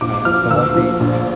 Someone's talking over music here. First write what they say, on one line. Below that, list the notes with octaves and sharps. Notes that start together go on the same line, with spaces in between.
uh, golfing,
A#1 D6
F3 F6
D2 E6
F3
A#1